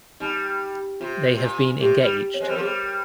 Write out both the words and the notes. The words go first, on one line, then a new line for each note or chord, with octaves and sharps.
They have been engaged.
G3 D#4
C3 F4
C3
A#2
C3 G4
G3
C#5
G#3 C5
G3
F3 A#4
G3 G#4